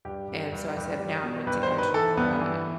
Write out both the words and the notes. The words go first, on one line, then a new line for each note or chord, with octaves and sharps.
and so I said, “Now I want to enter “uh,
G2 G4
G2
G2
G2
G3
B2
G2 B4
C5
D#3
B4
E3 A4
G2 B3
E3